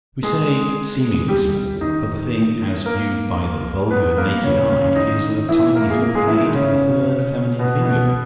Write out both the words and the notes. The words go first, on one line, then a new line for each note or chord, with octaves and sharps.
We say, seemingly small; for the thing, as viewed by the vulgar, naked eye, is a tiny hoop made for the third feminine finger.
G#3 G#4
G3 G4
D#3 D#4
A#3 A#4
B3 B4
A#3 A#4
C#3 C#4
C#3 C#4
D#3 D#4
E3 E4
A#3 A#4
G#4
A#3 A#4
G#3 G#4
E3 E4
D#3 D#4
C#3 C#4
B2 B3
B2 B3